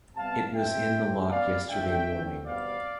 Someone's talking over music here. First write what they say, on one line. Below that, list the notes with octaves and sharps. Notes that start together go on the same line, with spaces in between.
It was in the lock yesterday morning.
C3 G3 B3 F5 A5
B2 A3 C4 E5 G5
G2 D3 A3 C4
E2 B2 B3 D5 F5
F2 D3 A3 C4 E5 G5
E2 D3 A3 C4
E2 B2 G3 C4 D5 F5